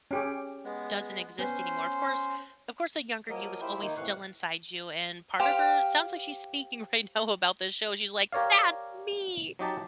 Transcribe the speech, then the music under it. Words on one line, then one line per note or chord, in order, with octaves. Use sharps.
doesn't exist anymore. Of course of course, the younger you was always still inside you, and part of her sounds like she's speaking right now about this show, she's like, "That's me!"
C#4 G4 G#4
G#3 B3
B3 C#4 C5 C6
F3 F#3 A#3 A#4 D#5
F3 E4 G4 C5
D#3 A#3 D#4
A2 C3 E3 F5 C#6 F#6
G4 C5 F5 G5
G4 A#4 C#5 D5 F5
F#3 D#4 G4 A5